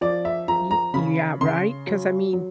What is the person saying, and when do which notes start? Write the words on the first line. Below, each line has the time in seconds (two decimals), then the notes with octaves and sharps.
Y yeah, right? 'Cause, I mean
0.01 F3 D5
0.25 E5
0.48 F3 A#5
0.71 A#5
0.94 C#3 B5
1.41 C#3 C6
1.87 F#3
2.33 F#3